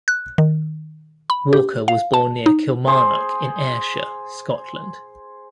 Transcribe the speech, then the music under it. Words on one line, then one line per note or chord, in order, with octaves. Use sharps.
Walker was born near Kilmarnock in Ayrshire, Scotland.
F#6
D#3
B5
G4
F5
A5
D#4
G#4 C5